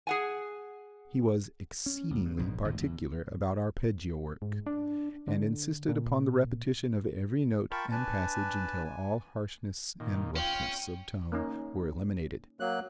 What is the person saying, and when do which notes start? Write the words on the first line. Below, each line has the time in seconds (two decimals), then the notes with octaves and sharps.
He was exceedingly particular about arpeggio work, and insisted upon the repetition of every note and passage until all harshness and roughness of tone were eliminated.
0.07 G#4 F#5 G#5
1.86 C#4
2.11 D2
2.25 G2
2.37 A#1 G#2 B2
2.64 G#1 D2 A#2
2.81 E2
4.42 G#2
4.66 D4
5.28 D3
5.89 A#2
7.71 F4 A#4 G5 A5 B5 C#6
7.91 D4 B4 G#5 A5
8.84 G#5
10.00 A#2 D#3
10.36 C#4 F4 G5
11.32 A#3 C#4 D#4
12.60 F#3 A#3 F#6